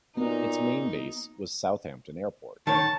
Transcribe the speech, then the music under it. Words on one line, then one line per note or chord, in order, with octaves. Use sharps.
Its main base was Southampton Airport.
A#2 A#3 B3 D#4 F#4
D#3 C#5 A5